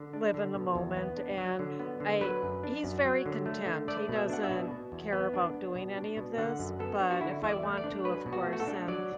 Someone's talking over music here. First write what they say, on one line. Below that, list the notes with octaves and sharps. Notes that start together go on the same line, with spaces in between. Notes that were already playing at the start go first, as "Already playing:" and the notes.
live in the moment. And I he's very content. He doesn't care about doing any of this. But if I want to, of course, then
Already playing: D3
D4
D3
B2
E2
B3
D4
F#3
D3
B3
D3
F#3 B4
F#2
D4
F#2
F#3
D3
A3
D3
A3 D5
B2
E5
D4 F#5
E5
B2
B2
E2
B3
D4
B3
B2
D4
B2
D3 F#5
F#2
B3 A4
D4
F#4
D3 E4
E2 E5
D5
A3
D5
D4
F#3 B4
B2
F#4
A3
F#4
A4
D4
F#3 D5